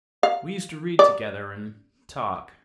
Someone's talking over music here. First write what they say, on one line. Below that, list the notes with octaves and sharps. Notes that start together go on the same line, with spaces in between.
We used to read together and... talk.
F5
D5